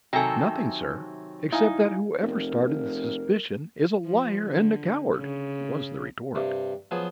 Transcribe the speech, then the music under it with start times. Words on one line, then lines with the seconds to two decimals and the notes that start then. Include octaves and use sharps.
"Nothing, sir, except that whoever started the suspicion, is a liar and a coward!" was the retort.
0.13 C3 D#3 F#3 A4 E5 G5 G#5
1.52 D#4 E4 F5 G#5
2.22 F1 A#4
4.04 F3
4.43 D3
5.16 C#3
6.35 G2 C3
6.91 F3 F#3 B3 G#4